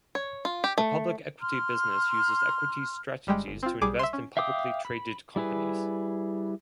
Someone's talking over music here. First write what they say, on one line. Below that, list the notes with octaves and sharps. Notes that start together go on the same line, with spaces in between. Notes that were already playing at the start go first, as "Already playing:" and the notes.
The public equity business uses equity strategies to invest in publicly traded companies.
C#5
F4
G4
A3
A#5 C6 F6
G1 G3 G#3 G5
G1
C4 F4
B1 G3 G#4 D6
E5 C6
C#4
E5 F5 G5 D6 D#6
B5
G3 E4 G#4 B4